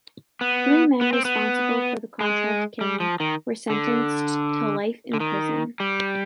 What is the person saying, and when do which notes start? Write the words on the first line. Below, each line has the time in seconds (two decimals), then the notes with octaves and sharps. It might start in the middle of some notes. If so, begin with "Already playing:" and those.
Three men responsible for the contract killing were sentenced to life in prison.
0.41 B3
1.01 B3
1.13 C4
1.25 B3
2.21 G#3
2.81 G3
3.00 F3
3.20 D#3
3.70 D3
5.14 D3
5.20 D#3
5.80 G3